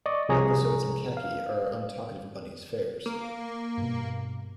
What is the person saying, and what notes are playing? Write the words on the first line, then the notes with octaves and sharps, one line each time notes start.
Episodes in khaki are Untalkative Bunny's fairs.
D5 D#5 C#6
C2 C3 F3 G#4 C#5 A#5
F5
A#3
G2 B2